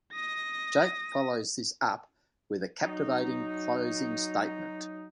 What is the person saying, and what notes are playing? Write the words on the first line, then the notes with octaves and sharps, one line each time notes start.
Jake follows this up with a captivating closing statement.
D#6 A#6
F#3 D#4